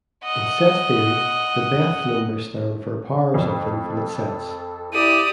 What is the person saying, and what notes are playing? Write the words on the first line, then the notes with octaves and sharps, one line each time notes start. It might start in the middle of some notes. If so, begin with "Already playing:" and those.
In set theory, the beth numbers stand for powers of infinite sets.
D#5 F#5
F2 A4
E4 G4 D5 D#6